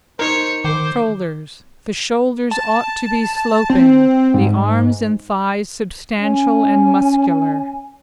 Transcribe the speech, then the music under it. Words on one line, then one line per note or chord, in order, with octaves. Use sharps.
SHOULDERS--The shoulders ought to be sloping, the arms and thighs substantial and muscular.
D#4 A#4 C5 C#5 C#7
D#3 C5 D6
A5
C4
G#2
C#4 G#5